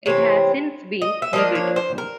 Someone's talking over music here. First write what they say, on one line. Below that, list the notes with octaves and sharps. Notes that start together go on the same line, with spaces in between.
It has since been rebuilt.
C3 E3 C4 C#5
D#5
E5
F3 A#3 D4 D#5
C#5
C5
A#4